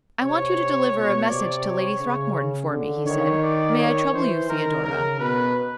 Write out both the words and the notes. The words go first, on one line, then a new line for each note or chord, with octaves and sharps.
"I want you to deliver a message to Lady Throckmorton for me," he said. "May I trouble you, Theodora?"
C3 C#5
B2
C3 D5
C#5
C#3
D3
D#3 C#5
D5
C#5
E3 C5
D#3 A#4
C#3 A#4
B2 B4